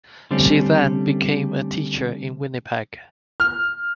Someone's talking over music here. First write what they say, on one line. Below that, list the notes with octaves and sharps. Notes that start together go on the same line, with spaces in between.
She then became a teacher in Winnipeg.
D3 G3 A3 C4 C#4
F6